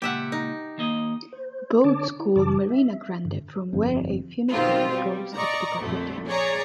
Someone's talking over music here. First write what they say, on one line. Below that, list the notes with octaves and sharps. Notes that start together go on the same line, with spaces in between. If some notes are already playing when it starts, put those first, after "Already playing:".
Boats call Marina Grande, from where a funicular goes up to Capri town.
C#2 A#2 G4 E5 F#5
D#4
D#3 A#3 D#5
C5
D3 D4 C#5 A5 D6
E4
F#2 C#3 E3 G4 A5 D6
E5
G2 D3
G1 F2
B2 D#3 C4 F4 G4
G3
D5 D#5 A#5 C#6
A#1 F2 D3 A3
G#4 C#5 D5 A#5